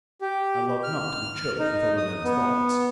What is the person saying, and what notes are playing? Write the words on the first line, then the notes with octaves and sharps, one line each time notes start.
I love not to be choked with other men's thoughts.
G4
F6
D#4
D#6
B3